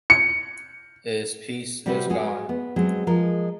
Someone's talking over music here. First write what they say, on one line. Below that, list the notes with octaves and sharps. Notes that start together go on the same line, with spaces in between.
Its peace is gone!
C#7
C3 G3 C4 F#4 B4
G#3 F#4 G#4
B3
F#3 G#3 C4
F3 G#3 A#4